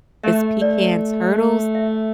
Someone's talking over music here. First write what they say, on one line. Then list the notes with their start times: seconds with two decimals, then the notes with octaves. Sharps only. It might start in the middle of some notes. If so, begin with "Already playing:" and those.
it's Pecans Turtles.
0.23 A3 E5
0.61 D5
1.75 E5